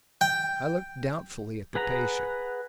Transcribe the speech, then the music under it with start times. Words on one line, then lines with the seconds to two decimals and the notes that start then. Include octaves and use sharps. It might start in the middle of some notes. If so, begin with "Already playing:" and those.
I looked doubtfully at the patient.
0.21 G5
1.75 G#4 B4 F#5 A#5